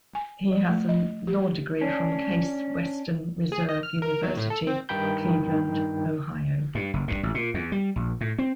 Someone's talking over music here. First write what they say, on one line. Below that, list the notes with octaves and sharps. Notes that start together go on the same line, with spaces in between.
He has a law degree from Case Western Reserve University, Cleveland, Ohio.
G#5
F3
A3
D#5
G4
C#4 D4
G#4
D#5
F6
A#4
F#3
A2
A4
C4
G2 D#3 D#4 G5 B5 G6
G2
F#1
G2
A1
A#2
E2
G3
A#1
A2
C4